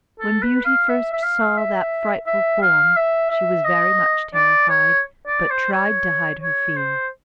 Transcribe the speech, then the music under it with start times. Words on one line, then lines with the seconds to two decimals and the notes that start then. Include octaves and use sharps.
When Beauty first saw that frightful form, she was very much terrified, but tried to hide her fear.
0.20 A4
0.43 B4
0.65 F5
0.89 E5
1.13 E5
1.23 F5
1.58 E5
2.27 E5
2.62 F5
2.96 E5
3.31 E5
3.65 D#5
4.34 D5
4.69 C#5
5.27 D5
5.50 C5
5.72 C#5
6.42 C#5
6.76 C5